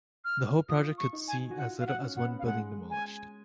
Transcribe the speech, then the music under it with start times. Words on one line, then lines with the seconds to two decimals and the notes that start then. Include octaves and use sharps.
The whole project could see as little as one building demolished.
0.25 F6
0.69 F4 D#6
0.98 C#6
1.13 D#4
1.28 G#5
1.51 F#4
1.57 F4 F#5
1.80 F#4 F5
1.87 F#5
2.01 C#4
2.17 F#5
2.25 B3
2.39 F5
2.46 G#3 F#5
2.90 G#5